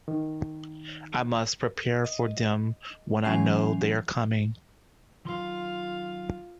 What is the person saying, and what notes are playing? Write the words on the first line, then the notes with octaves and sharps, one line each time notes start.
I must prepare for them when I know they are coming.
D#3
D#5
E3 F#3 C#4 G#5 C7 F7
D#3 F#3 F4 F5 C6